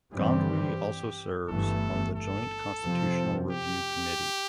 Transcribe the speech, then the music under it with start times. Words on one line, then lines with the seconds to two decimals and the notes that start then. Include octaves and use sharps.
Gondwe also serves on the Joint Constitutional Review Committee.
0.13 G2 E3 G3 C4 G4
1.48 G1 G2 E3 A3 A4
2.15 A4
2.83 F2 C3 F3 C4
3.51 G4